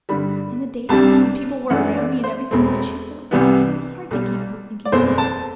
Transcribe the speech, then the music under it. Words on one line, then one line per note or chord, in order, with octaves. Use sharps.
In the daytime, when people were around me and everything was cheerful, it wasn't so hard to keep from thinking of it.
G2 D3 G3 B5
C2 C3 G3 D4 A5
F#2 E3 A3 D4 F#5
D5
C5
E1 E2 B2 A3 C4
C2 C3 E3 G3 B3
B1 B2 G3
D5
F#1 E2 B2 A3 C4 C5
A5